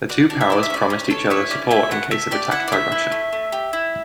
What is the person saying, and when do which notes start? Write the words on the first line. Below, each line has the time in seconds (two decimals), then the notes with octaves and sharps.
The two powers promised each other support in case of attack by Russia.
0.09 F#4 D5
0.30 D4 D5
0.41 E5
0.50 E4 D5
0.63 E5
0.70 C#4 D5
0.90 C#4
1.10 A4 C#5
1.30 E4 C#5
1.51 C#4 D5
1.71 E4 E5
1.91 A3 F#5
2.11 A3 E5
2.31 G4 D5
2.51 E4 F#5
2.68 D5
2.72 A3 E5
2.92 E4
3.12 A3
3.33 A3
3.52 G4
3.73 E4